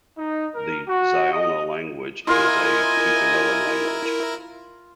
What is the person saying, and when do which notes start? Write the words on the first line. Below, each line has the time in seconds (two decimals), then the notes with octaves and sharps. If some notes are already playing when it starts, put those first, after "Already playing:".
The Siona language is a Tucanoan language.
0.17 D#4
0.55 A#4
0.89 F#4
1.33 D#5
2.27 E4 F4 A#4 D#5 G#5 C6